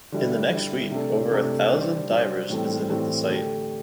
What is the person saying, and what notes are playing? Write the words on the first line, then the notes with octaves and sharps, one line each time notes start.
In the next week, over a thousand divers visited the site.
D3 G3 E4
D3 G3 E4
C3 A3 D4 A4
C3 A3 D4 A4
G3 D4 C5
G3 D4 C5
A2 E3 G3 C4 A4
A2 E3 G3 C4 A4
D3 A3 D4 G4